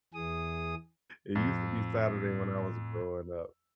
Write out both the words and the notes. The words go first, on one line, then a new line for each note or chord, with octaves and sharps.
It used to be Saturday when I was growing up.
E2 E3 G#4 D#6
F2 A2